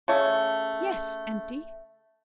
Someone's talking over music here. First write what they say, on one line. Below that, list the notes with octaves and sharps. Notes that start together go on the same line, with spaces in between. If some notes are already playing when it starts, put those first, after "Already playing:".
'Yes, empty.
C#3 A3